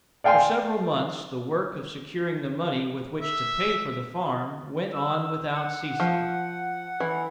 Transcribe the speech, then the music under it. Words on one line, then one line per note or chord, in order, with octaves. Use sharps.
For several months the work of securing the money with which to pay for the farm went on without ceasing.
D5 F5 G5 G#5 C6
E5
E6
F#5
F3
E3